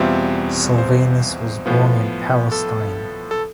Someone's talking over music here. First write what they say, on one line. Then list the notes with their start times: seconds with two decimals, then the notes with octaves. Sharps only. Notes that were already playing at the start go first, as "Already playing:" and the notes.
Silvanus was born in Palestine.
Already playing: E2 B2 G3 C4 F4 E5
0.78 C5
1.66 A2 F3 B3 F4
2.52 A4
3.31 A4